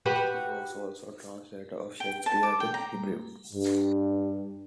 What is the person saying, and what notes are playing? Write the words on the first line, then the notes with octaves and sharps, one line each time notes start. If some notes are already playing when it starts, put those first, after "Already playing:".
He was also translator of Shakespeare to Hebrew.
F#4 G4 B4
G5
A5
D6
G5
A#5
G2